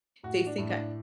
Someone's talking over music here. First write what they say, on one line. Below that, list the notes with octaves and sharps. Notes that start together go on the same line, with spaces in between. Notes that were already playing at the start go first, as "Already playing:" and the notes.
they think I
A2 F#4
D4
A2
D4